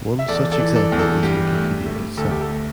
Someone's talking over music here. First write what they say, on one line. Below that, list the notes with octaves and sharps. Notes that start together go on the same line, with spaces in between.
One such example is Wikipedia itself.
E5
E2 A4 D5
A4 D5
E3
A4 D5
E2
A4
G2 G4
A3
A3
D2 A4
G4
A4
A3